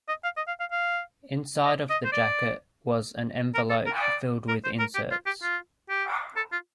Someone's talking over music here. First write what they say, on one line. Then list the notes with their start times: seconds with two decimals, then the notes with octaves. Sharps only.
Inside of the jacket was an envelope filled with inserts.
0.08 D#5
0.24 F5
0.37 D#5
0.47 F5
0.60 F5
0.71 F5
1.65 D#5
1.90 D#5
2.05 C5
2.12 D5
3.54 A#4
3.69 A4
3.86 A#4
4.01 D5
4.48 A#4
4.64 C5
4.79 A#4
4.95 G4
5.11 F4
5.26 G4
5.42 F4
5.89 G4
6.36 A4
6.52 F4